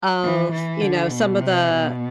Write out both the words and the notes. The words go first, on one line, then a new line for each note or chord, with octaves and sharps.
of, you know, some of the
E3
E3
D3
B2
C3
B2